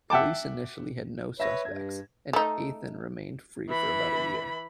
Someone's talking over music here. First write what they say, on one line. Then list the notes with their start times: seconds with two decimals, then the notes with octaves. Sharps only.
Police initially had no suspects, and Eithun remained free for about a year.
0.10 E5 F#5 G5 A5 D6
1.40 B4 C#5 E5 A#6
1.65 G2 G#6
2.33 A3 D#4
3.69 E3 B5